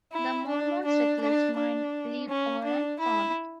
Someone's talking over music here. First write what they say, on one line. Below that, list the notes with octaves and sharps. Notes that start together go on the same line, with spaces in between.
The Mormon settlers mined lead ore and farmed.
E4
D4
D4
D4
D4
C#4
D4
E4